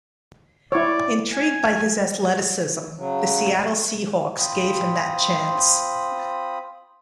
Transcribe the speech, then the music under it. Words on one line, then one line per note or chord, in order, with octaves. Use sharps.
Intrigued by his athleticism, the Seattle Seahawks gave him that chance.
E4 C#5 D5
G#5
C#3 F#3
C4 F4 C5 B5 D#6